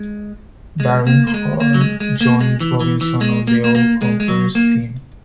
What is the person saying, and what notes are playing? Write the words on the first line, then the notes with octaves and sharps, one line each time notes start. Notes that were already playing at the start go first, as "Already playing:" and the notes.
Darrin Horn joined Robinson on the All Conference Team.
Already playing: G#3
G#3
A#3
A#3
G#3
A#3
F#3
G#3
G#3
A#3
G#3
E3
E3
E3
G#3
A#3
A#3
A#3
G#3
G#3
F#3
A#3